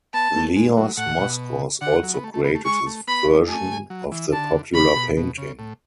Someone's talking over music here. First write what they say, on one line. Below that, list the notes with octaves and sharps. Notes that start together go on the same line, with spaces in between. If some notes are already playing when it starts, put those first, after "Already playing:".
Leos Moskos also created his version of the popular painting.
B3 A5
A3
G#3
F#3
A2 F#5
B2
D3 F#5
F#3
B3
A3
A3
B3
A3
G#3 C#6
A3
B3 B5
A3 G#5
F#3
E3
D3 A5
C#3 B5
B2
B2
C#3
A2